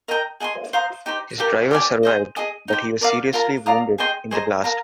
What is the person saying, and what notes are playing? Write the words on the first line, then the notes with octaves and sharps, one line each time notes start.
His driver survived, but he was seriously wounded in the blast.
A#4 D#5 G5 A#5
G#4 D#5 G#5 C6
C5 F5 A#5 D#6
D#4 G4 C5
G4 A#4 D5 F5
G4 D5 G#5
G#4 C5 D#5
G#4 D#5 G#5 D#6
D#4 G4 C5
A#4 D5 F5
F4 A#4 F5 A#5
D5 F5 A#5 D#6
G#4 D#5 G5 C6
G#4 C5 D#5 A#5
A#4 F5 A#5